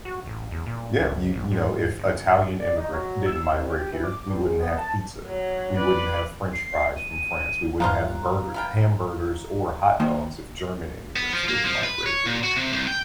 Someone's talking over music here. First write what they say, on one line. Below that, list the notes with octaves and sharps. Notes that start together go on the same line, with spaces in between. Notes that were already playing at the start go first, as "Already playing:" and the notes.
Yeah, you you know, if Italian immigrants didn't migrate here, we wouldn't have pizza. We wouldn't have french fries from France, we wouldn't have burger hamburgers or hot dogs if German immigrants didn't migrate here,
F#4
A1
E2
A#2
C#2
A#1
G#2
G1
D5
D#4
F#3
E6
C2
G4
E3
D6
G2
G#2
B3
A5
F#3
B4 D5
C7
D#7
G2 F3 G3 D#4 F4 F5 A#5 F#6
B3 A#4 G5
D#3 F3 A#3
B3
F3
A#3
F3
B4
C#5
A#2
F#4
C3
C2
G5